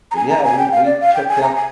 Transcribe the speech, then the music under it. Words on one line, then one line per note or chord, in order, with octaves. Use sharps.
but, yeah, we we checked out
A#5
G#5
A#5
G#5
G5
F5
D5
F5
G5
G#5
A#5
G#5